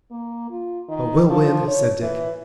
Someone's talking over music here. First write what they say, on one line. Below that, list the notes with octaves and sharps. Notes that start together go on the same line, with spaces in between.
"But we'll win!" said Dick.
A#3
F4
D#3
F3
C#5
E3